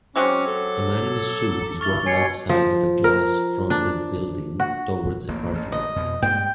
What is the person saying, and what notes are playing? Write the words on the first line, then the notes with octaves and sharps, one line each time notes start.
A man in a suit is walking outside of a glass fronted building towards a parking lot.
F#3 G#3 C4 C#4 F#4 D6
A4
G2 E3 C#6 F6 A6 G7
B2 C#5 G#5 C7 C#7
F3
A#4
D4
F#4
A1 A#3
A1
D#5
F2 B2
G2 G#3 G5